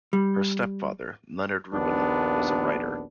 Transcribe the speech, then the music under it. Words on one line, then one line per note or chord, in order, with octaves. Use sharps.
Her stepfather, Leonard Rubin, was a writer.
G3
A#1 D#2 B3 D4